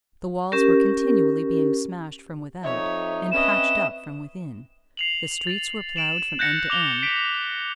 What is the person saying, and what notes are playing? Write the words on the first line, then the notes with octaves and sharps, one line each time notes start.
The walls were continually being smashed from without and patched up from within. The streets were ploughed from end to end.
C#4 G4 A#4
F2 D#4 C#5 E5
C4 C#4 B4 D#5 E7
C7 F7 F#7
A6 F7
D7 E7 F#7
F#6 G6 A6 A#6 C#7
D6 F7 G7
B6 D7